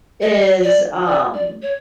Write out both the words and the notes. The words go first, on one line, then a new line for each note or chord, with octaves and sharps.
is, um
D#5
D5
D5
D5
C#5